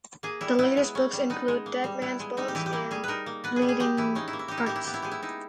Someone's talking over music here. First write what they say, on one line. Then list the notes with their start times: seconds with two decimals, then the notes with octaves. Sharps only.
The latest books include "Dead Man's Bones" and "Bleeding Hearts".
0.23 A#3 G#4
0.41 G3 E4
0.59 B3 E4
0.77 G#3
0.95 C#4
1.13 G3
1.30 B3 D#4
1.48 G#3
1.66 A#3
1.84 G3
2.02 B3 E4
2.20 G#3
2.37 G3 D#4
2.48 G4
2.55 E3 E4
2.66 G4
2.73 A#3 E4
2.91 G3 G#4
3.04 D#4 A#4 B4
3.26 A#3
3.44 B3 B4
3.56 G#4
3.62 G3
3.69 G#4
3.80 G#3 G4
3.97 E3 E4
4.15 C#4 D#4
4.28 E4
4.33 A#3
4.39 E4
4.48 D#4 G4
4.58 E4
4.66 A#3 G4
4.76 E4
4.84 B3 G4
4.94 E4
5.02 G#3 G4
5.11 E4
5.22 D#4 E4